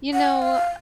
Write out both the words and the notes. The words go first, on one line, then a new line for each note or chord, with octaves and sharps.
You know, uh,
F#5
F5